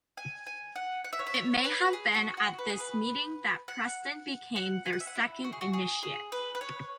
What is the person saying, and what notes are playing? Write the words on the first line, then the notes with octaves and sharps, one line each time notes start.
It may have been at this meeting that Preston became their second initiate.
G#5
G#5
F#5
F#5
E5
C#5
E5
C#5
B4
G#4
F#4
F#4
B4
G#4
B4
F#5
F#5
G#5
F#5
E5
F#5
E4
F#4
G#4
F#4
G#4
G#4
B4
B4
C#5